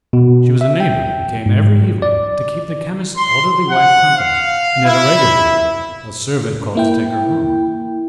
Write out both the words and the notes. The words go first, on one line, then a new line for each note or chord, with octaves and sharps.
She was a neighbour, and came every evening to keep the chemist's elderly wife company, and at a regular hour a servant called to take her home.
B2
E5
G5
G#2
D5
C6
F#5
F5
E4
A#3 E4 G5